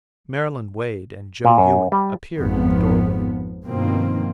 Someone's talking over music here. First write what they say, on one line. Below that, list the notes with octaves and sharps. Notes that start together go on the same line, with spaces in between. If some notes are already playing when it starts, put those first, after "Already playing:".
Marylyn Wade and Joe Ewing appeared in the doorway.
A#2
F#2
G3
G#1 F2 F3 B3
G2 B2 D#3 F3 A#3 C4